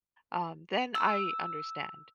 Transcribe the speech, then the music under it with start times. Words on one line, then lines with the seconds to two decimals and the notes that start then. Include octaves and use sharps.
um, then I understand.
0.95 E6